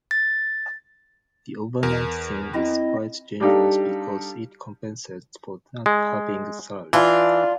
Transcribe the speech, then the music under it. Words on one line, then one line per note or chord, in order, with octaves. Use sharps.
The overnight thing is quite generous because it compensates for not having a salary.
A6
E2 A#4
C4 E4 D#5
G3 D4 D#4 G4 A4 F5
G#3
E3 D4 F4